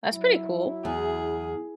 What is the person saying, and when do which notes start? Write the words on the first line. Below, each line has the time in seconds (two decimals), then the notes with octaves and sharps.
That's pretty cool.
0.12 F#3 E4
0.85 E2 G#4